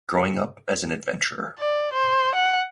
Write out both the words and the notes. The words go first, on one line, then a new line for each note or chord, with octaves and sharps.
Growing up as an adventurer.
D5
C5
F#5